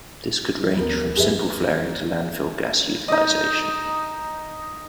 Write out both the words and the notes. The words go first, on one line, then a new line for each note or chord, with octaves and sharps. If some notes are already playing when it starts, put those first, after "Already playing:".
This could range from simple flaring to landfill gas utilization.
D#2 F3 B3 A#4
G2 G4 G#4 B4 E5
D#4 D#5